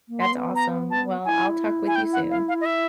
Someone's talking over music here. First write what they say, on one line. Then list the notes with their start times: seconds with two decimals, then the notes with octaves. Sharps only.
That's awesome. Well, I'll talk with you soon.
0.09 A#3
0.20 C6
0.32 B3
0.55 A#5
0.91 A5
1.25 E4 G#5
1.87 G#5
1.96 G5
2.13 F#5
2.30 F5
2.48 F5
2.61 D#5
2.66 E5